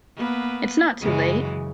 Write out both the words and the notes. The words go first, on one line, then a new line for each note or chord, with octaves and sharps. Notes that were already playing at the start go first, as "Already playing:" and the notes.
It's not too late.
A#3 B3 B4
F#2 C#3 E3 F#3 G#3